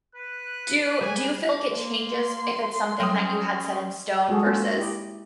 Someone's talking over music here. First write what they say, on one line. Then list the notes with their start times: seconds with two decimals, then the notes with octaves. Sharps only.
Do do you feel like it changes if it's something that you had set in stone versus
0.15 B4 F#6
1.01 G3 G#4 G#5
1.69 A#3 C6
3.00 F#3 G3 C#4 C#5 G5 D#6
4.28 G#3 F#4 G#4 A4
4.45 A#3 C#4 F4 F#4 A4 C5
4.76 E4 G4 D#5